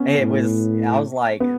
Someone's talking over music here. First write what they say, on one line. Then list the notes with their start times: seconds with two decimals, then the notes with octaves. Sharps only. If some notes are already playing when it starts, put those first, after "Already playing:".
It was I was like,
Already playing: B3 C#4
0.19 A2
1.40 B3